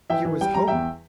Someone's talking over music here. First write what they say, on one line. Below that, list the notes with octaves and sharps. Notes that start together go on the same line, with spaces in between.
Here was hope!
E3 E5 G5
E3
G3 G5
G3 A#5
E2 E5 G5